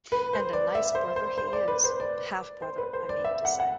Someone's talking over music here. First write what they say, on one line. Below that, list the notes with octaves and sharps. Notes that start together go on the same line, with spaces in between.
And a nice brother he is — half-brother I mean to say.
B4
C5
D5
E5
C5
C5
C5
D5
B4
C5
D5
C5
B4
C5
D5
E5
F#5
F#5